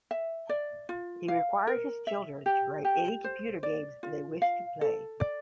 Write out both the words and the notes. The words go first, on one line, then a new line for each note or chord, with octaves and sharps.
He required his children to write any computer games they wished to play.
E5
D5
F4
F5
A#4
E5
G4
G4
C5
D5
F4
F5
A4
D5